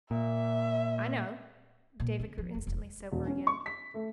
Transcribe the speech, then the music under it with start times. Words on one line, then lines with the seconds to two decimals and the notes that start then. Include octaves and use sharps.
"I know." David grew instantly sober again.
0.11 A#2 E5
2.00 A#2
2.19 C#3
2.38 F3
2.55 F1
2.67 E1
3.12 E1
3.27 C#4
3.47 C#6
3.66 B6
3.94 A3